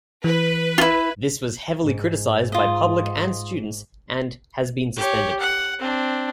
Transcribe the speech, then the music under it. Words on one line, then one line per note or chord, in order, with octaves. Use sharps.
This was heavily criticized by public and students and has been suspended.
E3 B4
E4 F4
G#2
F4 D#5
G4 C#5
F#5
C4 D4